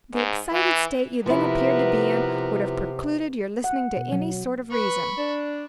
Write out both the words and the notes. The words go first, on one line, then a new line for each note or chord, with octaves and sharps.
"The excited state you then appeared to be in, would have precluded your listening to any sort of reason."
G#2
E3
C3 F3 B3 E4 A#4 B4
F#5
B2
F#3
B4 B5 C#6
D4